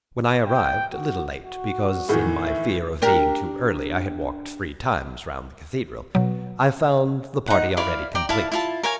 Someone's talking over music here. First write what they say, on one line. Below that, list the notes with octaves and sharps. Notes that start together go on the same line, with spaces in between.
When I arrived, a little late, because in my fear of being too early I had walked three times round the cathedral, I found the party already complete.
G5
F#4
F#4
A2 D#3 E3
E5
D4 G4 A#4
B2 F#3
D#4 F#5
E4 D5 F5 B5
D5 G5 A#5
E4 F5 A5
E4 F4 A5
A#4 C#5 F5 G#5